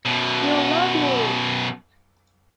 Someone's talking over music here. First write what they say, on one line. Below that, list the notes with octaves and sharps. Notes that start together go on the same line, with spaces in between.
You love me.
F#2 B2